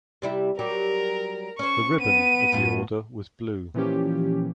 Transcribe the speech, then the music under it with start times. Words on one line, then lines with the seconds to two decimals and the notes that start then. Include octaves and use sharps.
The "ribbon" of the Order was blue.
0.22 C3 G3 E4
0.59 F#3 G3 G4 A#4
1.59 C#4 C5 C#6
2.00 B3 D#7
2.52 A2 F4
3.74 A#2 E3 F3 C#4 G4